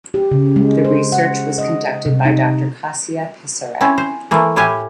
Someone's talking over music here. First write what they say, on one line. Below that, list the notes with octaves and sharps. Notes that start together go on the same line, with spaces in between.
The research was conducted by Doctor Kasia Pisarek.
G4
C#3
G#3
C5
F#5
D#5
C3
D#4
C4 C#4 E4
C5
E3 A3 A#3
A2 E4 G4 F5 G#5